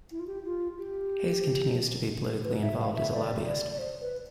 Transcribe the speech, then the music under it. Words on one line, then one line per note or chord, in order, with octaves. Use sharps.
Hayes continues to be politically involved as a lobbyist.
E4
F4
G4
F4
G4
B4
E5
F5
E5
D5
D5
D5
C5
B4